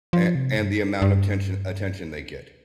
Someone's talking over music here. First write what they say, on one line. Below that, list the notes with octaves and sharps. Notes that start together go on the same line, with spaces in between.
a and the amount of tention attention they get
F3
C3
G2
G2